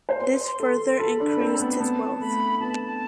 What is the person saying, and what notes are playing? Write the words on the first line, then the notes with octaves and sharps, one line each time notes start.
This further increased his wealth.
C5
B4 C6
C6
A4
C6
A4 B5
D4
B5
C4
A5
B5
B3
B3 A5
A3 B5
B3 A5